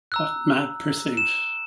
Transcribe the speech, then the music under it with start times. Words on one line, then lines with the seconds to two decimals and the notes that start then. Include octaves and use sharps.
What mad pursuit?
0.12 A#5 E6 F#6
1.17 E7